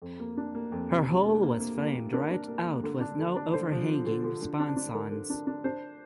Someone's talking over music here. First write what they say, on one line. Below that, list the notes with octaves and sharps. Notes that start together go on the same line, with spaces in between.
Her hull was flamed right out with no overhanging sponsons.
F2
A#3
D4
A#3
F2
C3
C3
A#3
A#3
A#3
A#3
A#3
D4 A#4
D4
A#3
A#3
D3
D4
D3
D4
D3 C5
F3
F3
D3
D3
D3
D4
D4
D3 A#4
D3
D4
D4
D4 C5